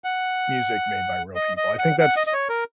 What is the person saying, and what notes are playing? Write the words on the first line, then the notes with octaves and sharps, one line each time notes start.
music made by real people. I think that's
F#5
D#5
D#5
F#5
F#5
D#5
D#5
C#5
A#4